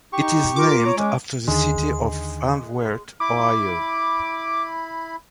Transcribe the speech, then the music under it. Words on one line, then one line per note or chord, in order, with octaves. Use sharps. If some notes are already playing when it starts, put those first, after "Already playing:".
It is named after the city of Van Wert, Ohio.
D#4 G4 C#6
F4 A#4 D6
C#5 A#5
G#3 C#4
D#2 D3 D#3 G#3 G#4
E4 B5 D6